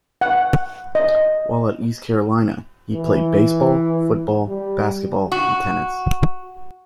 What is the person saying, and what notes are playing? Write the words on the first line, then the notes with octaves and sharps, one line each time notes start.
While at East Carolina, he played baseball, football, basketball, and tennis.
F#5
D#5
E3
G3
F#4